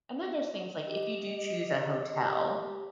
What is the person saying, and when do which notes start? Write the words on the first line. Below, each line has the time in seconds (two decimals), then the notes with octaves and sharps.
and then there's things like if you do choose a hotel,
0.86 G4 D#5